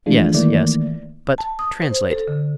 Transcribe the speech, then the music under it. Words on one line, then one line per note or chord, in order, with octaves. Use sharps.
"Yes, yes--but translate."
E3 F3 G#3 A3 D4 F4
D#3 E3 A3 A#3 E4 D5
A5
D#6
C5
A4
D3